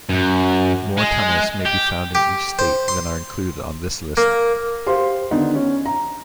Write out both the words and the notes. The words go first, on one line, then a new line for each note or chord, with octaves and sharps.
More tunnels may be found in each state than are included on this list.
F#2
G#3
G4
G4
C5
C6
A#3
G4 C5 F5 C6
D3 D#3 B3 D#4
C#4
A#5